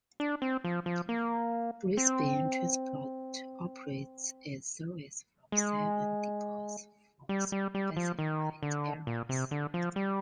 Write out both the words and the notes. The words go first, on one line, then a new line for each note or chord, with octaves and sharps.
Brisbane Transport operates its services from seven depots for specified areas.
D4
C4
F3
F3
A#3
C4
G#3
G3
G3
G3
F3
D#3
D3
A#2
C3
D3
F3
G3